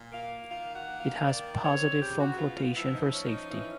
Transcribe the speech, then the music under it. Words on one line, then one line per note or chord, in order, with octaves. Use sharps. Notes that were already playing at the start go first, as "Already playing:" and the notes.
It has positive foam flotation for safety.
Already playing: A#2
A#3 F5
D#3 F5
F#5
A#3
F5
D#3 D5
C4 C#5
C#3 G4
F#4
B3 F4
F4
F3 E4
D#4
E4
C#4
D#4
E3 D#4